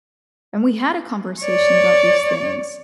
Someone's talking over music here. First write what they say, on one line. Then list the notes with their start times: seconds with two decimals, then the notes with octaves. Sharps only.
And we had a conversation about these things,
1.42 C#5 D5